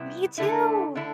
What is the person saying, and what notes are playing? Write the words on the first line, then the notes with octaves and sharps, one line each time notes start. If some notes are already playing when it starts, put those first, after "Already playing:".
Me too.
Already playing: C3 G3 B3 E4
D3 A3 E4
D3 A3 E4